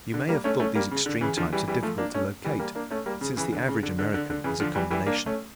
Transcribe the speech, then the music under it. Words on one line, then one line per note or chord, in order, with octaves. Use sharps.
You may have thought these extreme types are difficult to locate, since the average American is a combination.
D3
G3 A#3
A3 C#4
A3 C#4
G3 A#3
C#3
D3
C#3 E3
D3 F3
E3 G3
E3 G3
F3 A3
A#3 D4
A3 C#4
E3 G3
G3 A#3
A#3 D4
A3 C#4
G3 A#3
C#3
C#3 E3
D3
C#3
D3
D3
D3
D3
C#3 E3
D3 F3
E3 G3
E3 G3
A#3 D4
A3 C#4